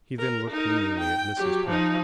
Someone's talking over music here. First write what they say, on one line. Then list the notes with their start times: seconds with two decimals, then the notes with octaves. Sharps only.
He then looked meaningly at Mrs. Pett.
0.19 A#4
0.51 D#4 A#4
1.00 G5
1.37 F#3 G4
1.67 F3 D#4